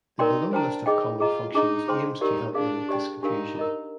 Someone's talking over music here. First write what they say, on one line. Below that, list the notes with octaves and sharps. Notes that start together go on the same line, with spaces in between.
The below list of common functions aims to help limit this confusion.
D#4 A#4 D5 G5 C6
D4 C5 G5 A#5
D#4 G#4 D#5 G5
F4 G#4 D#5 A#5
D4 D#4 G#4 D#5 A#5
G#4 C5 G5 C6
D#4 G4 A#4 D5
D4 G#4 D5 F5
G4 D5 G5
D4 D#4 G4 A#4 F5
A#4 D#5 A#5